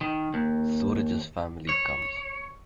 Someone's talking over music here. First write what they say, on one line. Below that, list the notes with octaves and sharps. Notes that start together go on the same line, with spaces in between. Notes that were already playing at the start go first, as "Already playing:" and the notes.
Suraj's family comes.
D#3
D#2
C#5